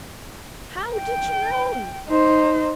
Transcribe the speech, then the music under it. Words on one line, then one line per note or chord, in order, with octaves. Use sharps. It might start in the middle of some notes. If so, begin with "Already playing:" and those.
"How did you know?"
G5
D#4 C5